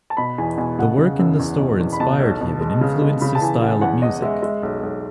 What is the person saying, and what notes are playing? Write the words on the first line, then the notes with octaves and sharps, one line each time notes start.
The work in the store inspired him and influenced his style of music.
A5
B2 B5
E2 G#5
B2 G#5
C#3 F#5
C#3
F#2
E2
B2
E2
B5
B2 A5
B1
B2
G#3
C#3
G#3
C#3 B5
A5
E3 G#5
E3 F#5
E2 F#5
E2 D#5
G#3 E5
G#3 E5
B1
B1